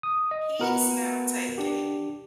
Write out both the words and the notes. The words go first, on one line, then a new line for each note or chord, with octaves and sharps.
He's now taking
D#6
D#5
B3 F#4 A#4 B4 F#5
D4 G4